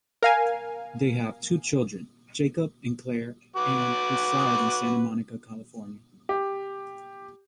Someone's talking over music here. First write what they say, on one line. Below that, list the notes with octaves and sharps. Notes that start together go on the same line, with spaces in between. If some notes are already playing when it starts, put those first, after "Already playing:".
They have two children, Jacob and Claire, and reside in Santa Monica, California.
A#4 F5 G#5
F#4 B4 D6
G4